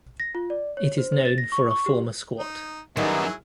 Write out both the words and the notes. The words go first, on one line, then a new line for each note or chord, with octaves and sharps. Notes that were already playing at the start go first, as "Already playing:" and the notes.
It is known for a former squat.
A#6
F4
D5
C#5
C5
C5
A6
A#6
C#6
C#6
G4
D#4
F#2 D#3 F#3 G3 B3 D#4 E4 G#4